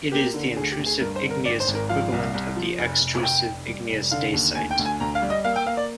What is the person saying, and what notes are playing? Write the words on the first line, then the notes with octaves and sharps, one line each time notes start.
It is the intrusive igneous equivalent of the extrusive igneous dacite.
A#3 G4
D3
D2 G#4
G4
D2
G#4
G2 A#4
C5
D3
A#4
G#1 D5
C5
G#1
A#4
F3 F5
C2
C2
F3
F1
F1
F1 G5
F1
G3
F1
D3 F5
D#2
D2 G#5
G5
D2
G#5
D2 A#5
F5
G3
D#5
A#3 F5
G5
A#3 F5
D5